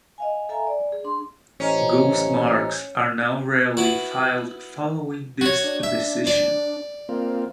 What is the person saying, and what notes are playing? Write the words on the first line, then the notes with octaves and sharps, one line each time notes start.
Ghost marks are now rarely filed following this decision.
D#5 F5 G#5
A4 E5 F5 G#5 A#5
D5
G#4
D4 C6
A1 C#4 C5 D#5 A#5
B3 E4 F#4
F#4 C#5
D4
E5
D5
A#3 C4 F4